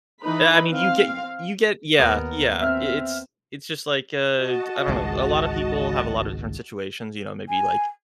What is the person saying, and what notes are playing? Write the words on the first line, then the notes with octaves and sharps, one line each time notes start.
Eh, I mean, you get you get Yeah, yeah. I it's it's just like, uh, I don't know. A lot of people have a lot of different situations, you know, maybe, like,
E3 D#4 B4 B5
C4 F5
D#2 B3 A#4
C4 E5 F6
F#4 D#5 A5
G#1 C#2 G#3
G#5